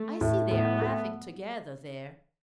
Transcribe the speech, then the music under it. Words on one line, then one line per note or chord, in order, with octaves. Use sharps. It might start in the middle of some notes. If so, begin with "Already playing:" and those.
I see they are laughing together there.
Already playing: A3
A2
A2 B3
A3